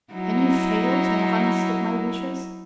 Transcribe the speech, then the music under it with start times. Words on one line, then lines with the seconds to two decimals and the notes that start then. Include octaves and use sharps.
Can you fail to have understood my wishes?
0.14 F#3 D#4 E4